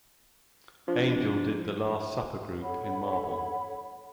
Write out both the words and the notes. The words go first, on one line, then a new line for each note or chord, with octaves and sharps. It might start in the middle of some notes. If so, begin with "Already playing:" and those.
Angel did the Last Supper group in marble.
F3 D4
A4 C#5 F#5 B5